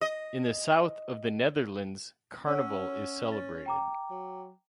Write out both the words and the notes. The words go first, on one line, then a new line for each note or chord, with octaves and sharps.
In the south of the Netherlands carnival is celebrated.
D#5
C#4 C#5 F#5 E6
A6
G5 A#5 D6
F#3